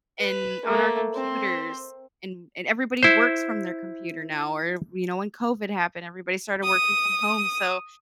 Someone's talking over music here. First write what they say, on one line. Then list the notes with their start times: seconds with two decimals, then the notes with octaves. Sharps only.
and on our computers, and and everybody works from their computer now, or you know, when COVID happened, everybody started working from home, so,
0.19 B4
0.65 A3 A#3
1.15 C4 C5
3.03 E4 C5
6.63 D#6